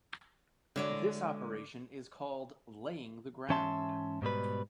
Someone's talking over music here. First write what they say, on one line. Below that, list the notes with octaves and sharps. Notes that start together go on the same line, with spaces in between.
This operation is called laying the ground.
D3 G#3 E4 F#4 C#5 D5
G#2 E3 C#4 E5 A5 C6
G#2 B2 G3 B4